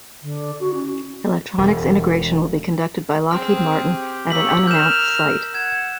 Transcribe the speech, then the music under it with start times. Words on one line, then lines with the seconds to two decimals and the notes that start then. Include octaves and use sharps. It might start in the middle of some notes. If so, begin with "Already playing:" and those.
Electronics integration will be conducted by Lockheed Martin at an unannounced site.
0.22 D3
0.60 F#4
0.74 C#4
1.58 E1
3.31 C4 G#4 F6
3.81 G4
4.30 A#3 C#5 E6 B6 F#7
4.67 A#4 F6 G6 E7
5.55 F#5 G#6 E7